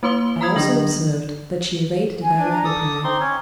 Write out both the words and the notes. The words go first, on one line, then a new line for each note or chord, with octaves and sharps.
I also observed that she evaded a direct reply.
A#3 E4 C#5 C6 E6 G7
A#5 B5 D#6 E6 G#6
D3 F#3 D4 A#6 F#7
G#5
D4
A#5
A4 D6 D#6
C4 D#4 C6
C#4 C#5 G5